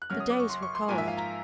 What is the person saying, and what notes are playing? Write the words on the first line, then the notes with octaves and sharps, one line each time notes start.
The days were cold.
F#6
F#2 C#3 F#3 F6
D#6
D6
C#6
C6
C#6
C6
G#2 F3 A#3 G#5
E5
F5
A#5